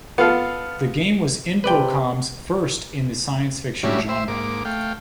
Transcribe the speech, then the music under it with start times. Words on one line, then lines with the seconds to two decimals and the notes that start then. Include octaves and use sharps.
The game was Infocom's first in the science fiction genre.
0.18 B3 F4 A4 F5
1.64 C3 B4 D5 G5
3.83 A2 F#3 G3 C#4 D4 E4
4.09 C5 E5
4.28 G#2 A#3 D6
4.65 A3 F5 G5